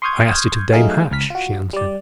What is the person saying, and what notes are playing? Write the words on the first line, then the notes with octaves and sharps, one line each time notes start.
"I asked it of Dame Hatch," she answered.
C6 C#6 D#6 F6 G6 G#6
F#3 A3 D#4 G#4 F5
C#2 F6 B6
F4 F#4
G3 D5